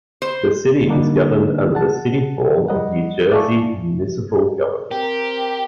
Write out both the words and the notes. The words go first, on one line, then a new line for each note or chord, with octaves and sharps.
The city is governed under the City form of New Jersey municipal government.
C5
D3 G3 A#3 D4 D#4
F#5 A5
G3 D#5 F#5
D5 E5 F5 G#5 A5 C#6
C4 G4 A#4